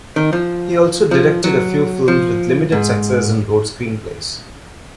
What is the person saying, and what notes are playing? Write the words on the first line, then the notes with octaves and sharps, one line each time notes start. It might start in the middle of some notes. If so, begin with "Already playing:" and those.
He also directed a few films with limited success, and wrote screenplays.
D#3
F3
F3
F#3
F3
G#2